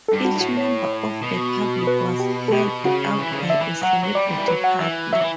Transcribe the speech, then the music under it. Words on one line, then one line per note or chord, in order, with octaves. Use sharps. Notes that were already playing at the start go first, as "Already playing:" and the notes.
Each member of the public was helped out by a "celebrity" partner.
A4
G2
F#4
A2
F#4
C#5
B2
B4
G4
A4
B2 G4
C#3 F#4
E3
C#3
D3
E5
E3
F#3 F#5
F#3
G3 D5
D3
E3
F#3 B4
F#5
E3 E5
F#3 E5
E3